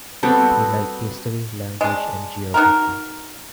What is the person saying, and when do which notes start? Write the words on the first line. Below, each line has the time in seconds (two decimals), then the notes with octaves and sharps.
He liked history, language and geography.
0.23 G3 B3 C4 F#4 A4
1.81 G#3 D4
2.54 D#4 F#4 A#4